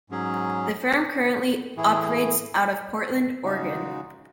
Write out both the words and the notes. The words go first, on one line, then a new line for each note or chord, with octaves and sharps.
The firm currently operates out of Portland, Oregon.
G#2 F#3 C#4 G#4
A2 E3 A3 E4 G#4
C#3 G#3 D#4 F#4